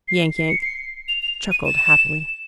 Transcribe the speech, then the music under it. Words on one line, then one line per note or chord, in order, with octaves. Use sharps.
Yank-Yank chuckled happily.
C7
C7
C#7
C7
F7
F7
D#7
E7